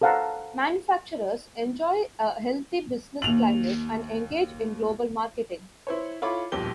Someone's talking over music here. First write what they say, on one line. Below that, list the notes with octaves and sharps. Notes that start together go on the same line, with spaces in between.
Manufacturers enjoy a healthy business climate and engage in global marketing.
A4 C5 F5 F#5 A5 A#5
D#2 F7 F#7
E4 C5 C#5
E4 F4 A4 C#5 B5 D6
D#1 B1 F2 A#2 G4 G7